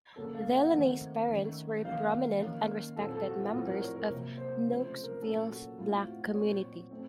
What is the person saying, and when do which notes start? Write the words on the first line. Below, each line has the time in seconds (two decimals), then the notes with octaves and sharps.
Delaney's parents were prominent and respected members of Knoxville's black community.
0.16 C#3 F#3 A#3 C#4 A4
0.35 F5
0.53 F#5
0.72 D#3 A3 C4
1.28 D#3 A3 C#4
1.85 D#3 F#3 A#3 C#4 F5
2.40 D#3 A#3 C#4
2.96 A#2 F#3 C4 A4
3.12 A4
3.25 F#4
3.39 F4
3.53 A2 F3 C4 F#4
3.68 A#4
3.82 C#5
3.96 A#4
4.10 C3 F#3 A#3
4.37 C5
4.66 C#3 F3 A3 C4 C5
4.84 C5
5.04 A#4
5.22 A#2 F#3 A#3 C#4 A4
5.50 F#4
5.78 A2 A3 C4 F4
6.06 F#4
6.34 A#2 F#3 C4 C#5
6.91 A3 C4